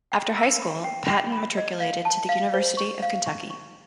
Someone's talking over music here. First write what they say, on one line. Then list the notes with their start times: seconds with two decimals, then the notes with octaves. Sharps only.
After high school, Patton matriculated to the University of Kentucky.
0.12 G5
0.36 E6
0.60 B5
0.84 G5
1.08 G5
1.32 B5
1.57 D#5
1.80 F5
2.05 A5
2.29 F5
2.54 C5
2.77 C#6
3.02 F5
3.26 C#6
3.50 C#6